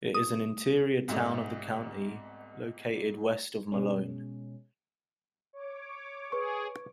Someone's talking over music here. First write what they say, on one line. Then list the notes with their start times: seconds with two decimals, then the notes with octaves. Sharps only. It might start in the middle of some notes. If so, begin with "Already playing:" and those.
It is an interior town of the county, located west of Malone.
0.15 D#6
1.08 C2 G#2 B2 A3
3.72 B2 G#3 C#4
5.53 C#5 D6
6.32 G#4 B4 C#6